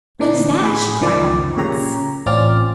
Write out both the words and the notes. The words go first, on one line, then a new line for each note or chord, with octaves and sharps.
"What is that?" she cried, all at once.
A#2 D3 E3 D4 D#4
A2 G#4 B5
C#2 F#2 D#3 F3 D5
A#2 C#3 G4 C#5 A#5
A1 C4 C#4 F4 D5 F6